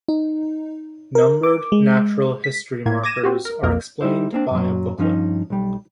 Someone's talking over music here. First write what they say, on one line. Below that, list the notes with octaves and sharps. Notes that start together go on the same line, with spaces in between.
Numbered natural-history markers are explained by a booklet.
D#4
A#4
D6
G#3
B6
A2 A#3 G#6
D6 G#6 A#6 D#7 E7
C4 F#4 G4
A#4
B1 F2 A#3 A#4
G3 D#4 E4 C5
A#3 C4 D4
F#2 A#2 F#3
G2 F3 C#4 D#4
B1 G3